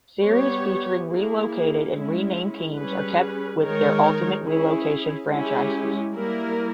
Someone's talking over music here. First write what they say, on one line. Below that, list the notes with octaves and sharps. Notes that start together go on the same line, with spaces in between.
Series featuring relocated and renamed teams are kept with their ultimate relocation franchises.
G3 B3 G4 C#5
A#3 E4 G#4
G#3 C#4 E4
G3 C#4 G#4 B4
D#3 G#3 D#4 A#4 C#5
C#4 E4 G#4
G#3 C#4 E4 G4
G3 A#3 E4 A#4